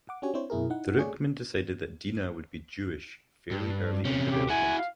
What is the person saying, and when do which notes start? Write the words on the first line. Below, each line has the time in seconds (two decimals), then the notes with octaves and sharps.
Druckmann decided that Dina would be Jewish fairly early in development.
0.09 F#5 D6
0.22 C#4 D4 F#4 G4 C#5 G#5
0.34 C4 D4 E4 C5 C#5
0.50 F#2 B2 E4 G#4 A#4
0.70 D#4 E4 F#5
0.98 A3 G#4 C#5 D5
3.51 G2
4.05 C3 C#4
4.31 G4
4.50 E4 F#4 G#5
4.79 F5